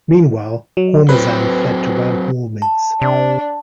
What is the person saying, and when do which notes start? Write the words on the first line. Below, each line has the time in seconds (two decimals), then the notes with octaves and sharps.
Meanwhile, Hormuzan fled to Ram-Hormizd.
0.77 F#3
1.09 F#3 C4 B4
2.62 A5
3.01 C3 D4